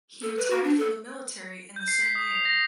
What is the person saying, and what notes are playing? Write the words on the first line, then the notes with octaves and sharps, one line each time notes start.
He retired from the military in the same year.
A4
B4
F#4
D4
A4
G6
C7
B6
D#6
F7
A#6